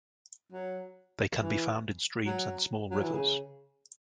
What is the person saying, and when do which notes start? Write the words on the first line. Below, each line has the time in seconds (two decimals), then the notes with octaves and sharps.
They can be found in streams and small rivers.
0.52 F#3
1.40 E3
2.25 F#3
2.91 F#3
3.02 E3
3.13 C#3